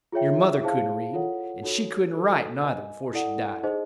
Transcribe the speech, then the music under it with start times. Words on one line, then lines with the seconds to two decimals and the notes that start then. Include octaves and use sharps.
Your mother couldn't read, and she couldn't write, nuther, before she died.
0.12 F4 G#4 C#5 E5 G5
0.63 E4 G#4 C5 F5 A5
1.13 F4 A4 C#5 F#5
1.63 D#4 F#4 A4 C#5
2.13 D#4 F#4 A4 C5
2.63 A#4 D#5 G#5
3.13 E4 A4 D5 F#5
3.63 D#4 G#4 C5 D#5